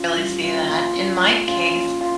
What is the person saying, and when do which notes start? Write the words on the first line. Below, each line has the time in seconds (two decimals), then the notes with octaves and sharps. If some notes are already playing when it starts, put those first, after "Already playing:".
Really see that. In my case,
Already playing: C#4 F4
0.17 G3
0.44 C#4 F4
0.70 A#3 F4
0.96 C#4
1.22 A3
1.48 C#4 F4
1.75 A#3
2.01 C#4 F4